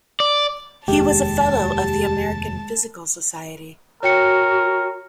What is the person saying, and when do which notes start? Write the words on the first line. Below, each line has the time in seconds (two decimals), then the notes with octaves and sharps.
He was a fellow of the American Physical Society.
0.20 D5
0.88 F1 D#2 G#3 G4 A5
4.03 F#4 A#4 C#5 G5 C#7